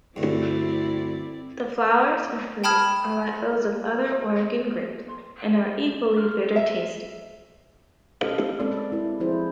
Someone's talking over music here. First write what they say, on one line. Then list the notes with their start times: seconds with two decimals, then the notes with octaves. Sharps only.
The flowers and fruit are like those of other Oregon-grapes, and are equally bitter-tasting.
0.16 D2 G2 C4 E4 D5
2.64 G5 A5 B5 D#6 F6 G#6
6.56 E5
8.21 C#4 G4 A4 D#5 F5
8.60 G#3 C4 A4 B4 D5
8.92 E4 B4
9.20 F3 C4 E4 G#4 C5